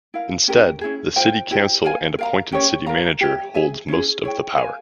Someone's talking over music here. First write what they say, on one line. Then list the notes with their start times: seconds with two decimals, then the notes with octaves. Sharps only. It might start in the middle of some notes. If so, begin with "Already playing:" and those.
Instead, the city council and appointed city manager holds most of the power.
0.14 E4 A#4 F5
0.48 C#4 G4 A#4
0.81 C#4 E4 G#4
1.16 F4 C5 G5
1.51 E4 G4 C5
1.84 A#4 F5 G#5
2.19 A#4 F5 A#5
2.52 C#4 G4 A#4 C#5
2.86 A#4 F5 A#5
3.21 G4 C#5 E5
3.54 G#4 E5 G#5
3.88 C#4 E4 G#4
4.23 E4 G#4 C#5 G5
4.57 A#4 F5 G#5